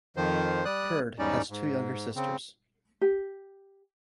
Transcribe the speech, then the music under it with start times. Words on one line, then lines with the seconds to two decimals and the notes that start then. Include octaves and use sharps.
Hird has two younger sisters.
0.17 F2 D#3 F3 C5
0.65 G3 D5 D#6 F#6
1.19 E2 G#2 G3 C#4 D#4 D5
1.50 G#2
2.16 C#3 C4
3.01 G4